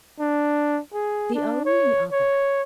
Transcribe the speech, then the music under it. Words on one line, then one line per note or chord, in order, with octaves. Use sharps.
'The only other.
D4
G#4
D4
C#5
C#5